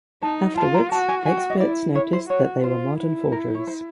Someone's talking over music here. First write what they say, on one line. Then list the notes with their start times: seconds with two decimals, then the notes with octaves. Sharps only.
Afterwards experts noticed that they were modern forgeries.
0.23 D#4 A5
0.57 F4 A5
0.74 A#5
0.92 F#4 A5
1.09 G#5
1.26 F#4 G#5
1.37 G5
1.50 D#5
1.60 E4 D5
1.95 E4 C#5
2.13 C5
2.29 F#4 C#5
2.64 F4 C5
2.98 E4
3.32 A#4
3.55 C#5
3.67 C5